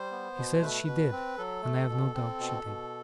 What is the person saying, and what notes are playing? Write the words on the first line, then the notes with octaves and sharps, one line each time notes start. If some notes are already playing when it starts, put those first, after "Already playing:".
She said she did, and I have no doubt she did.
Already playing: G3 C5
B3
B2
A3 B4
B2
C4
F#3 A4
A3
B2
C4
B2
B2